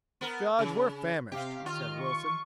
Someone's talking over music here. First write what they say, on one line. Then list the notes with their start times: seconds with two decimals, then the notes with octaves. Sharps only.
"Judge, we're famished," said Wilson.
0.21 B3 A#4
0.59 C#3
1.32 C3 G4 F5
1.66 D#3 F4 F6
2.00 C#6